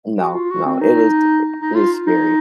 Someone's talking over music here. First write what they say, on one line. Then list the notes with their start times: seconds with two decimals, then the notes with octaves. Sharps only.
No, no, it is it is scary.
0.18 F#4
0.34 F4
0.50 F#4
0.66 C4
0.81 D#4
1.60 D#4
1.75 F4
2.07 D#4